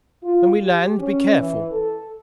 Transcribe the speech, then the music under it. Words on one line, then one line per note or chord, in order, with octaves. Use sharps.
When we land, be careful.
F4
G4
C#4
E3
A4